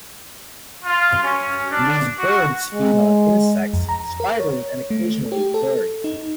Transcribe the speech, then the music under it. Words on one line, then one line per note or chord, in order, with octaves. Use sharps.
These birds feed on insects, spiders and occasionally berries.
F4
C#4
D4
F#4
G#3
F2
A#5
A#4
C#5
A3
G4
A4
D#4